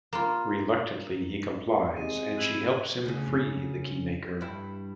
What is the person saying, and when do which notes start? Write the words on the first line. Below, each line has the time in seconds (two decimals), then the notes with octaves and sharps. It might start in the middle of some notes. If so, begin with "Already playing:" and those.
Reluctantly, he complies and she helps him free the Keymaker.
0.13 A#3 F4
1.96 C3 G#3 D#7
2.37 E4 F#6 D#7 F#7
3.06 D2 C#3
4.41 G2 E4